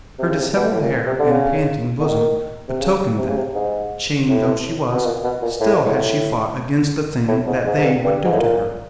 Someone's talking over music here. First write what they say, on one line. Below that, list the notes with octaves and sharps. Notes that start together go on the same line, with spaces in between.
Her disheveled hair and panting bosom betokened that, chained though she was, still had she fought against the thing that they would do to her.
C3
C#3
C3
B2
A2
A#2
C3
D3
C#3
D3
D#3
C3
C#3
C3
C#3
C3
G#2
A2
B2
A#2
B2
A#2
A2
G#2
A2
A2
G#2
G#2
G#2
G2
G2
G#2
A2
A#2